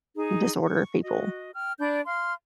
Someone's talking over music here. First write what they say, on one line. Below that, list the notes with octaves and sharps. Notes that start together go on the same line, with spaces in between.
disorder people,
D#4 G#4
C#6
F#4 D#5
G5 F6
D4 D5 B5 G6
F5 C6 F6